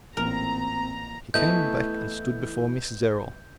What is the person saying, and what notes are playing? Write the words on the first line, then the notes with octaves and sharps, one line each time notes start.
He came back and stood before Mrs. Errol.
A1 A#2 C4 A#4 A#5
E3 A3 B3 E4 D#5 G6